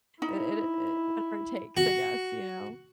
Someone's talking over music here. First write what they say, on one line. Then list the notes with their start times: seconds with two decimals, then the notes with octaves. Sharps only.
it it, whatever it takes, I guess you know,
0.22 D#4 E4
1.77 F#4